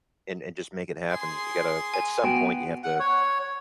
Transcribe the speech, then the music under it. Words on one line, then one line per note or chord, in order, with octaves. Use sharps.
and and just make it happen. You gotta at some point, you have to
G#4 C6
G#5
B3 F#4 G5 D7 D#7
F#5
C#5